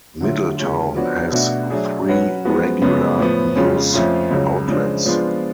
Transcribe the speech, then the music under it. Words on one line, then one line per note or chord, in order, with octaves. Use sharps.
Middletown has three regular news outlets.
D3 F#3 A3 F4
C#3 G#3 C#4 F4
F3 B3 D4 F#4 C#5
B2 A3 D4 F#4
F#3 A3 D4 G#4
F#3 C#4 F#4 B4
F3 G#3 B3 F#4
F#2 C#3 G#3 B3
A2 F3 B3
F2 C#3 G#3 C#4 F4
F2 F3 A3 C#4 F4
C#2 C#3 F#3
C#3 F3 G#3 D4
F3 G#3 B3 D4 F4